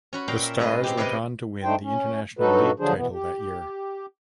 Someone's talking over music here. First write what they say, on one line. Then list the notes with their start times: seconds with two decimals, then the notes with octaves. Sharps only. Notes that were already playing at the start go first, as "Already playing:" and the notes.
The Stars went on to win the International League title that year.
0.13 C#4 F#4 B5
0.28 A#2 A#4 F5 G5
0.43 E5
0.59 A2 G#3 G#4 B4 D#5
0.84 C4 G4
0.97 C3 A#3 G#4 B4 D#5 G5
1.63 A3 D4 D#4 C5 G5
1.83 C#4
2.39 G2 F#3 D#4 F#4 A4 B4
2.79 D3 F3 F#3 D4 G#4 C5
2.96 B2 E3 B3
3.12 G4